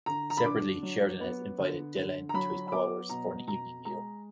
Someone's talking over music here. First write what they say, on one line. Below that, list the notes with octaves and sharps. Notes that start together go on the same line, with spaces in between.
Separately, Sheridan has invited Delenn to his quarters for an evening meal.
D3 A#5
A#5
B5
D4 D6
F#3
B3
D3
D3
A#5
F#3 B5
B5
B3 D6
B2 A#5
B2 A#5
G#3 A#5